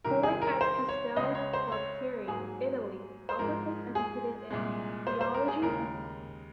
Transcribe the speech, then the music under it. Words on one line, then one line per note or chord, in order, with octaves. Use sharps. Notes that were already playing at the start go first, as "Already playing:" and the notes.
Born at Castel Gualtieri, Italy, Albert was educated in theology and law.
C2 C3 D#3 A#4
G#4
A#4
C5
C#5
C#2 C#3 G#3 D#5
C#5
C5
C#5
G#2 F#3 A#3 G#4
C5
G#2 F3 G#3 A#4
G#4
C2 A#2 G#3
C5
C5
A#4
G#4
D#2 C#3 G#3 A#4